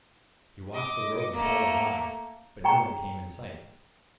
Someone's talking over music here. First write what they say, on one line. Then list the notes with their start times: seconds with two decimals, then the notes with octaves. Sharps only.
He watched the road with all his eyes, but no one came in sight.
0.73 D#5 D6
1.33 A3 A#3
2.64 G#4 G5 A#5 C#6